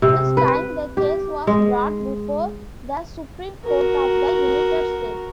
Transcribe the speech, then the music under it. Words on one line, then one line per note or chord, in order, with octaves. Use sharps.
This time, the case was brought before the Supreme Court of the United States.
C3
B4
G4
G#3
F#4 A#4